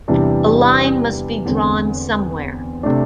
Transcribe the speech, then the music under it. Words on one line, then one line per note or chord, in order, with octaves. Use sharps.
A line must be drawn somewhere.
E2 C3 E3 G3 D4
E2 D3 C4
C3 A3 D4